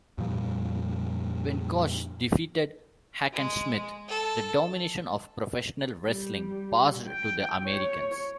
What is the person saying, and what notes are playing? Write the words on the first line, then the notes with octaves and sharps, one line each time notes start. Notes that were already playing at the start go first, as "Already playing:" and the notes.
When Gotch defeated Hackenschmidt, the domination of professional wrestling passed to the Americans.
F2 A#2 F3 G3
G#3
A4
G3
G5
C#5